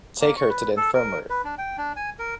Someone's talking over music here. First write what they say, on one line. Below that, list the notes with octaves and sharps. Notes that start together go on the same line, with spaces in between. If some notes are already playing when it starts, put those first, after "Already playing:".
Take her to the infirmary.
A#3
C#6
B4
A4
A#4
B4
D4
G5
D4
G#5
A#4